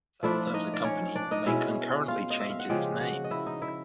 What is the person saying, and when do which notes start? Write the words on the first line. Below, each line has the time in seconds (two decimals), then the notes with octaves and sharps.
Sometimes a company may concurrently change its name.
0.23 F3 A3 D4 E4 F4 E5
0.47 E5
0.54 D#4 D#5
0.73 D5
0.85 C#4 C#5
1.15 D4 D5
1.31 D#4 D#5
1.46 B2 G#3 C#4 E4 E5
2.08 F4 F5
2.30 D#5
2.40 E5
2.50 F5
2.59 F#5
2.69 C#3 F3 G#3 G4 G5
3.00 F#4 F#5
3.24 D#5
3.30 E4 E5
3.46 D#4 D#5
3.62 E4 E5